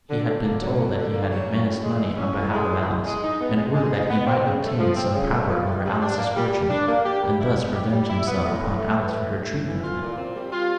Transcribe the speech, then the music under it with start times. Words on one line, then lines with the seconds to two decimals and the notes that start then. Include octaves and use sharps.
He had been told that he had advanced money on behalf of Alice, in order that he might obtain some power over Alice's fortune, and thus revenge himself upon Alice for her treatment of him.
0.10 D3
0.26 D3
0.43 A#3
0.61 F#3
0.78 D3
0.96 D3
1.13 A#3
1.30 F#3
1.48 C#4
1.65 A2
1.82 G#3
2.00 E3
2.18 C#4
2.35 A2
2.52 G#3
2.69 E3
2.87 G#3
3.04 G#3
3.22 D#4
3.40 B3
3.57 G#3
3.74 G#3
3.92 D#4
4.09 B3
4.26 C4
4.44 C#3
4.62 A3
4.79 F3
4.96 C4
5.13 C#3
5.30 A3
5.48 F3
5.66 G3
5.84 G3
6.01 D4
6.18 A#3
6.36 G3
6.53 G3
6.69 D4
6.88 A#3
7.05 G4
7.23 G3
7.40 E4
7.57 B3
7.75 G4
7.92 G3
8.09 E4
8.27 B3
8.44 A2
8.61 A2
8.78 A3
8.96 E3
9.13 A2
9.31 A2
9.48 A3
9.66 E3
9.83 F4
10.00 A#2
10.18 C4
10.35 G3
10.52 F4